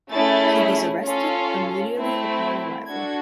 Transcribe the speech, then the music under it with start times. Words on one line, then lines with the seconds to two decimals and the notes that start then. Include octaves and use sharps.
He was arrested immediately upon arrival.
0.10 A3 C#4 E4 G#4 A6
1.04 C#4 F4 A4
1.96 A3 C4 E4
2.88 D4 F#4 A4 G#6